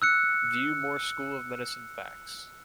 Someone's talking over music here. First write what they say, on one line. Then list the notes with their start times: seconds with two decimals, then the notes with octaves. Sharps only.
View more School of Medicine facts.
0.02 E6 F#6 C#7